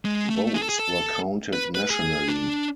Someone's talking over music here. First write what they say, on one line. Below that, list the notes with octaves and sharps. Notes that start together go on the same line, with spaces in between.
Votes were counted nationally.
G#3
A3
G#4
A4
G#4
A4
B4
B4
G#4
D4